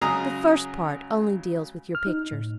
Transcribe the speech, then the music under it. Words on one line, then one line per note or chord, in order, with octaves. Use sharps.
The first part only deals with your pictures.
C#3 F#3 G#3 G#4 A#5 D#6
F6
D#4
A2